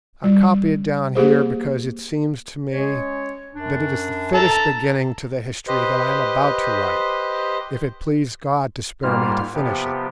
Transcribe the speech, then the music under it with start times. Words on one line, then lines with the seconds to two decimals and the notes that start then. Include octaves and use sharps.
I copy it down here because it seems to me that it is the fittest beginning to the history that I am about to write, if it please God to spare me to finish it.
0.24 G3
1.15 A#3 G4 G#4 C5
2.72 G#3 C#4 C#5
3.54 F#2 D4
4.34 A4 A5 A#5
5.68 G4 B4 C5 D#5
9.03 G#2 G3 A#3 F4 C5 F6
9.54 C3 F3 B3 G4